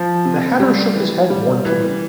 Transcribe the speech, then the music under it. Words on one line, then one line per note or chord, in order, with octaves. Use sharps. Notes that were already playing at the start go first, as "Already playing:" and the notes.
The Hatter shook his head mournfully.
Already playing: F3
C3
G3
E3
G3
E3